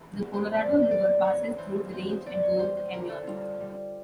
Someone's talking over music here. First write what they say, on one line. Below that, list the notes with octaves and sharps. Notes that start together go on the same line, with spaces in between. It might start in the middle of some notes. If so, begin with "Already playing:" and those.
The Colorado River passes through the range at Gore Canyon.
Already playing: E3
E2
C5
E2 D5
E3 D5
E3 C#5
E3 C5
E2 C5
C5
E3 D5
C#5
G3 C5
C5
D3 A#4
A4
G3 F4
G3